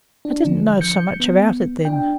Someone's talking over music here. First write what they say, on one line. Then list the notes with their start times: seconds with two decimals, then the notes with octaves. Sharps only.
I didn't know so much about it then.
0.25 D4
0.45 D3 F3
0.81 G6 C#7
1.20 B3
1.85 D4 G5